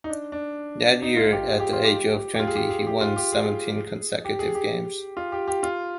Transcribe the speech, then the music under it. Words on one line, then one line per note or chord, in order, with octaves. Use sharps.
That year, at the age of twenty, he won seventeen consecutive games.
D#4
D4
D4
D#4
F4
G4
G#4
G4
F4
G4
G4
F4
G#4
G4
G#4
G4
F4
G4
G#4
G4
G#4
G4
F4
G4
G4
F4